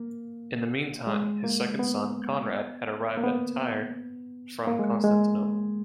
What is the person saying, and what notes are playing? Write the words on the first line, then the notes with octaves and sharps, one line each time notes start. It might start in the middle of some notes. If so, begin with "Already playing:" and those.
In the meantime, his second son, Conrad, had arrived at Tyre from Constantinople.
Already playing: A#3
G#3
A#3
B3
A#3
B3
A#3
G#3
G#3